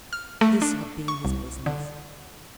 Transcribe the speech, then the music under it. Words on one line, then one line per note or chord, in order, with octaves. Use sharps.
This had been his business.
F6
A3
D4
C#6
C2
D3